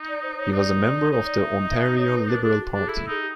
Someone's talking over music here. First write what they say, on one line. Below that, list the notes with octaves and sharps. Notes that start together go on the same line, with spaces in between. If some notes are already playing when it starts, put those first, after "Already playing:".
He was a member of the Ontario Liberal Party.
Already playing: D#4
D5
C5
C#5
D#4 D5
D5
D#4 C#5
D5
E5
D#5
E5
D#5
C#5
B4
D4 A#4
D4 G#4
F#4
D4 G4
G#4
E4 A4
D#4 G#4
G4